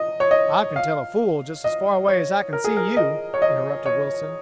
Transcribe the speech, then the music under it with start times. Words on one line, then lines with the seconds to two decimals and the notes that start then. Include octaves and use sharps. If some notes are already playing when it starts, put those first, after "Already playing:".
"I can tell a fool just as far away as I can see you," interrupted Wilson.
Already playing: D#5
0.20 C#5
0.31 D#5
0.76 F5
1.64 D#5
2.08 C#5
2.53 A#4
2.64 G#4
2.77 A#4
2.97 D#5
3.34 C#5
3.42 D#5
3.86 C#5